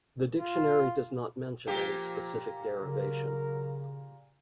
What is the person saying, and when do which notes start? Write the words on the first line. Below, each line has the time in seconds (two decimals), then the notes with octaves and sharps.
The dictionary does not mention any specific derivation.
0.40 F4
1.67 A#2 F3 A#3 G4
2.82 C#3 F#3 A#4